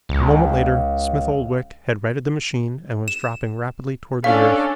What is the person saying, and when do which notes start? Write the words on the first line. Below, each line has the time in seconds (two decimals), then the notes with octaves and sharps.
A moment later Smith-Oldwick had righted the machine and was dropping rapidly toward the earth.
0.09 C#2
3.08 E7
4.24 C#4 D4 A4 F5